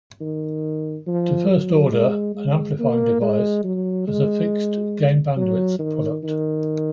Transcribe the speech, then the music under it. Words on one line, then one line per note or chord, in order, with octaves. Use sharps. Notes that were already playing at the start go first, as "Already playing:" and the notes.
To first order, an amplifying device has a fixed gain-bandwidth product.
D#3
F3
F#3
G#3
G#3
A#3
G#3
F#3
G#3
F#3
D#3
D#3